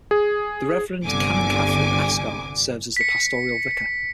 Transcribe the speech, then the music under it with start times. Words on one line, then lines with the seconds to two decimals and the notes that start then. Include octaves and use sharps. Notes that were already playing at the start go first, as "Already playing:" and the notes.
The Reverend Canon Catherine Ascah serves as the Pastoral Vicar.
0.11 G#4
1.05 G1 C2 D3 G#5 D6
2.96 B6 C#7